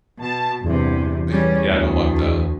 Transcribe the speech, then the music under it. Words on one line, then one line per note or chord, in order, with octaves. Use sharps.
Ugh, yeah, I don't want that.
B2 A5
E2 G2 C3
G3 C#4
D2